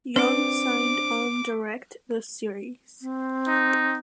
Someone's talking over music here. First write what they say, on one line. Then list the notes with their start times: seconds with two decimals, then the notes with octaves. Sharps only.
Yeon signed on direct the series.
0.16 C4 D4 B4 D6
3.02 C4
3.48 D#4